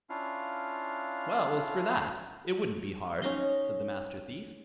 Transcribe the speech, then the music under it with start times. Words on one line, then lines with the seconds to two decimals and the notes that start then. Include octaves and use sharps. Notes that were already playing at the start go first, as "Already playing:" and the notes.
'Well, as for that, it wouldn't be hard', said the Master Thief.
0.10 C#4 D4 E4 F4 F5 F6
3.22 C#4 D#4 A#5 C6